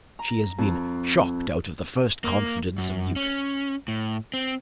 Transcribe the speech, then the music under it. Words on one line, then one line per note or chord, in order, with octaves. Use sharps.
She has been shocked out of the first confidence of youth.
A#5
F2
A#3
F#2
C#4
A2
C4